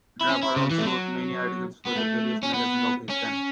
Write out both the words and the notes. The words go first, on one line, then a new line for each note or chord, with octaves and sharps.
Draper also wrote many articles for the various magazines of his time.
E4
C#4
E4
C#3
E3
A3
F#3
B3
A3
C#4
B3
C#4